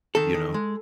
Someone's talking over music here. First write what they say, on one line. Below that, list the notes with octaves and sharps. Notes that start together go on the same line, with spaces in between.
You know?
D#3 A4
D#3
G#3